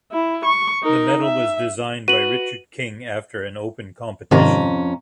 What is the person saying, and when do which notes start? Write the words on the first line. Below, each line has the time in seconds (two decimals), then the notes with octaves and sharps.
The medal was designed by Richard King after an open competition.
0.12 E4
0.45 C#6
0.83 D#4 A#4
1.22 E5
2.08 F#4 B4 D#7 F#7
4.31 F2 G#2 C3 D#3 C#4 A#5